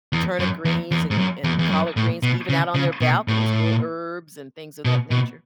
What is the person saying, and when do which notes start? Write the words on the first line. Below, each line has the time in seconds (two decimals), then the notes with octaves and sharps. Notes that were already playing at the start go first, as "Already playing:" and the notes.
turnip greens and and collard greens even out on their balconies, grow herbs and things of that nature.
0.13 E2
0.40 F#2
0.65 E2
0.91 E2
1.11 G#2
1.18 F#2
1.44 E2
1.59 E2
1.70 F#2
1.97 A2
2.23 B2
2.49 C#3
2.75 C#3
3.01 B2
3.28 A2
4.85 B2
5.11 B2